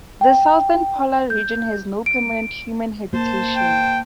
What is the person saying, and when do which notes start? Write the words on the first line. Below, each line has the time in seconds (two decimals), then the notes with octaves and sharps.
The southern polar region has no permanent human habitation.
0.21 G5
1.30 G6
2.06 D7
3.13 A#3 C5 A5
3.57 G5